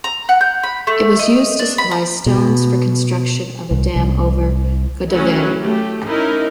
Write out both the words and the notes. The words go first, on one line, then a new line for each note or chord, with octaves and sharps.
It was used to supply stones for construction of a dam over Godavari.
A#5
F#5
G6
B5
A3
D#5
D4
B5
A#5
B2
C2
C2
F#3 A3 C#4 E4 F#4
A3 G4
C#4 D#4 E4 A#4